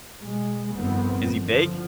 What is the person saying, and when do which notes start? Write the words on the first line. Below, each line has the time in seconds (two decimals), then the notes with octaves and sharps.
is he big?
0.20 B2 G#3
0.74 G1 F2 D#3 B3 C4
1.46 D3 F3